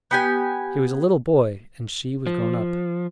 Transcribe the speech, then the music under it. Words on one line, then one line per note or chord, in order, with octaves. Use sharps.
He was a little boy, and she was grown up.
B3 G4 G#5
F3